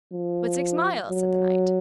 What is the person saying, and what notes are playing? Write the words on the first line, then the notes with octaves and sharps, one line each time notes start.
But six mile, said the knight.
F3
F#3